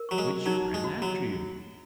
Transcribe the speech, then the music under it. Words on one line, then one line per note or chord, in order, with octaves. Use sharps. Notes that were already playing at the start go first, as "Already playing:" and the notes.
"Which ran after you?"
Already playing: A#4
F#3 C#6
G#3
C#6
F#3 D#4
D#4
G#3
F#4
F#3 F#4